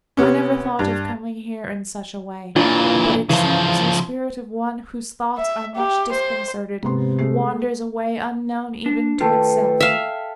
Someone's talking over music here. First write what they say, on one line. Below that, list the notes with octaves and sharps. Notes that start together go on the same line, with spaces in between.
I never thought of coming here in such a way; but it seems the spirit of one whose thoughts are much disconcerted wanders away unknown even to itself.
C3 B3 C#4
G2
A#2 E3 D4 F4 C#5
C#3 E3 F3
E5
G4
C5
G#2 C3 B3 C6
G#3 A3 C7
D4
D#3 A3 F4 A4 B4 G5
E5 F5